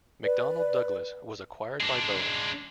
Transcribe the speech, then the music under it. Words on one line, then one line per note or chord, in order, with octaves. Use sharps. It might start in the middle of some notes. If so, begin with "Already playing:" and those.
McDonnell Douglas was acquired by Boeing.
B4 D5
G#3 D4